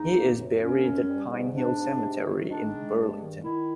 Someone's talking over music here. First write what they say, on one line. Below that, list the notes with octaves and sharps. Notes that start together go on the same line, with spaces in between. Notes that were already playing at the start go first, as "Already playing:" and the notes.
He is buried at Pine Hill Cemetery in Burlington.
Already playing: E2 D#4
A#3
F#2
A#3 C#4
F#2
G3
G#2
G#2 D4
G#2
C3
D#3
D#3 D4
G#3
G2
D#3
D#3 E4